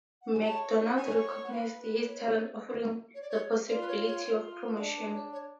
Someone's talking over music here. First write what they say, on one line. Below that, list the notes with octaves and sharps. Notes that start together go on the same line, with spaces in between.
MacDonald recognised his talent offering the possibility of promotion.
F#5
G#5
C#5 A5
C#5 G#5
F#5
B4 F5
C#5
C#5
D5
C#5
F4 D5
B4
C#5
C#5
F4
D4 D5
B4
C#5
C#5